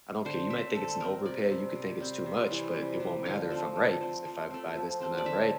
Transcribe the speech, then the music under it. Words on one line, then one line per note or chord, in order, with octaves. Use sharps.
I don't care you might think it's an overpay, you could think it's too much, but it won't matter if I'm right." 'Cause if I buy this and I'm right
D3 C5
A3 C4 E5
D3 A4
A3 C4 A#4
C3 D5
G3 C4
C3
G3 C4
C3
E3 G3
C3
E3 G3
D3 F5
F3 A3 C4
D3
F3 A3 C4
F3
A3 C4
F3
A3 C4
D5
D3 E5